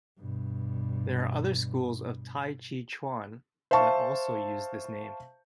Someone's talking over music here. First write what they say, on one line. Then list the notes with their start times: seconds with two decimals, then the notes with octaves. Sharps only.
There are other schools of T'ai chi ch'uan that also use this name.
0.19 G2 B2
3.71 C5 E5 F5 A5 C#6